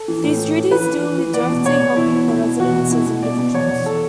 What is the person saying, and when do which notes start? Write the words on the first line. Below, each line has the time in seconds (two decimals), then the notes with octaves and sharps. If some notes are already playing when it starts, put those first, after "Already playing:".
These duties deal with directly helping the residents as individuals.
Already playing: A4
0.08 E3
0.24 A2
0.39 E3
0.56 E3
0.71 E3 B4
0.87 E3
1.03 E3
1.18 E3
1.34 E2 D5
1.49 B2
1.65 B2 C#5
1.81 B2
1.97 E2 E4
2.13 B2
2.28 B2 E4
2.44 B2
2.59 E2 F#4
2.75 B2
2.91 B2 E4
3.07 B2
3.23 B2 D5
3.39 B2
3.54 E2 C#5
3.70 E2
3.86 A4